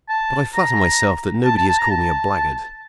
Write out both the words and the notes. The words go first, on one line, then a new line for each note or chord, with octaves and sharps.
But I flatter myself that nobody has called me a blackguard.
A5
A#5
A5
A5
A5
A#5
A5